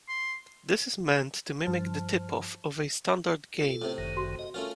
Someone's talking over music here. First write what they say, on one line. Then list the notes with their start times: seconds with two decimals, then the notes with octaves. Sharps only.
This is meant to mimic the "tip-off" of a standard game.
0.09 C6
1.67 G2 F3 C5 A5 F6
3.59 F4 A4
3.82 A2 C3
3.98 G1 F#2 D#3
4.17 F#4
4.39 D#5
4.54 A3 C#4 F4 A#4